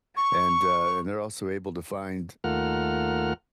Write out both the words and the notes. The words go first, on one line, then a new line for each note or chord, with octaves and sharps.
and, uh and they're also able to find
C#6
D#2 A3 F4 A#4 F#5 F6